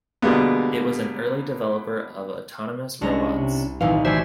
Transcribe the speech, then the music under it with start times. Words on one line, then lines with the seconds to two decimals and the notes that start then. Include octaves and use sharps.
It was an early developer of autonomous robots.
0.22 B2 D3 G3 G#3 A#3 B3
3.02 C2 G#3 C#4 D4 A#5
3.38 C3
3.81 D#1 C2 E3 D#4 F5
4.05 E3 A3 F#4 C5 D5 E5 G#5